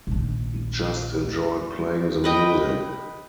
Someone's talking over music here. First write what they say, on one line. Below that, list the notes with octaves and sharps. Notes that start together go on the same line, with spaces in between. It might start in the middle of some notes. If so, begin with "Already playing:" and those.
He just enjoyed playing the music.
A#1 D#3
B4 D#5 G5